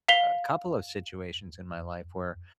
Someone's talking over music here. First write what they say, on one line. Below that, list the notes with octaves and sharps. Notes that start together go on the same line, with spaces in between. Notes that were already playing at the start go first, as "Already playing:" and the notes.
a a couple of situations in my life where
F5 B6 F7 G7